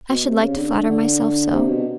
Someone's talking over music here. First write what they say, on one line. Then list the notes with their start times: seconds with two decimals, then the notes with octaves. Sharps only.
I should like to flatter myself so.
0.09 B2
0.25 C3
0.41 C#3
0.57 D3
0.89 D3
1.54 C3
1.69 B2